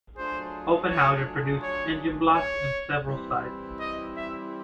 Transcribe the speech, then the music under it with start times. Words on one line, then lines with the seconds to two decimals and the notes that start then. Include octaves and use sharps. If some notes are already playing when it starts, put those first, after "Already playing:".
Offenhauser produced engine blocks in several sizes.
0.17 F#3 A3 D4 F4 G#4 C5
0.90 C#5
1.62 C#5
2.35 C#5
3.08 E3 G3 C4 E4
3.80 D#5
4.16 E5